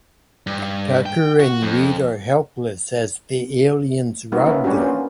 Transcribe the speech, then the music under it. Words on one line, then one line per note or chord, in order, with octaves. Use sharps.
Tucker and Reed are helpless as the aliens rob them.
G2
G5
F#4
F2
G3 A#3 B3 D#4 F4 F#4
A#3 B3 C#4 E4
G3 C#4 D4 F#4 G4
A#3 B3 C#4 F4